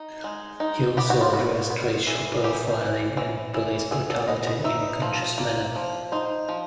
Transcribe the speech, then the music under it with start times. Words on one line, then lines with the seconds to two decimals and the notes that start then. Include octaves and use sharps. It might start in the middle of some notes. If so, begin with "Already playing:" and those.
He also addressed racial profiling and police brutality in a conscious manner.
Already playing: D#4
0.24 G#3
0.60 D#4
0.97 B3 G4
1.10 F#4
1.21 F4
1.33 B3 F#4
1.70 B3
2.07 E3
2.44 E3 G4
2.81 E3
3.17 E3
3.54 E3
3.91 E3 G#4
4.10 A4
4.28 B3 D#5
4.47 D#5
4.64 D#4 E5
5.02 F3
5.38 A#3
5.76 F3
6.12 D#4 C5
6.49 F3